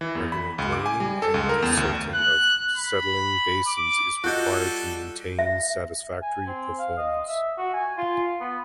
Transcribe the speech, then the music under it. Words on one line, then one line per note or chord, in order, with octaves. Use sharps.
Regular draining and desilting of settling basins is required to maintain satisfactory performance.
E3
E2
B5
C#2
D6
G#5
G3
A4
C#2
A#4
E2
D2
F#6
B5
D6
G3 F4 F#4 A4 D#5 F#6 G6
E5
G#5
C4
F5
D#5
E5
F#4
G#5
F4
B3